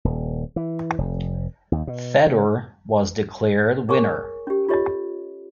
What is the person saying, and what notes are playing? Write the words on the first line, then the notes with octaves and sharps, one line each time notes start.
Fedor was declared winner.
D#1
E3
F1
D#2
B2
C#3
G#4 A#4 C#5 G#5 C#6
C#4 G4
F4 G4 A4 C#5 D#5